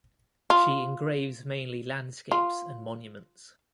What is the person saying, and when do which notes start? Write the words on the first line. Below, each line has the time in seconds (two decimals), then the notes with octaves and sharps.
She engraves mainly landscapes and monuments.
0.50 F4
2.32 F4